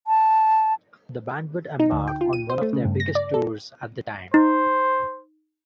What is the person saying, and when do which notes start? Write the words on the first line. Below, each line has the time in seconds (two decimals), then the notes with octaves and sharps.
The band would embark on one of their biggest tours at the time.
0.07 A5
1.80 D#4
1.92 D2
2.08 G5
2.21 F4
2.33 D#7
2.50 C5
2.61 A3
2.73 C#3
2.85 G2
3.00 A#6
3.15 D5
3.34 A4
4.34 D#4 C5